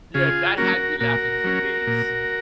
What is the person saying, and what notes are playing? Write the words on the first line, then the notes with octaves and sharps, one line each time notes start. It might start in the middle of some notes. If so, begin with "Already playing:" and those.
yeah, that had me laughing for days.
C#3 F4 G#4
F#3 A#3 C#4 F#4 A#4
A#2 F#4 A#4
F#3 C#4
A#2